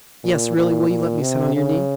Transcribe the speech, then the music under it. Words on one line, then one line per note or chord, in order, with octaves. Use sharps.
Yes, really, will you let me sit on your knee?
A#2
A#2
A#2
C3
C#3